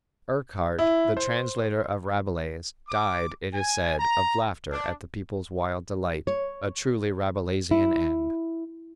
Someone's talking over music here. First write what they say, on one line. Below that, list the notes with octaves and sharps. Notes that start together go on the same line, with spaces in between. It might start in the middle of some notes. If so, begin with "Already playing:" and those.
Urquhart, the translator of Rabelais, died, it is said, of laughter at the people's wild delight--a truly Rabelaisian end.
E4
C5
D6
G#5
A#5
D4
C#5
E4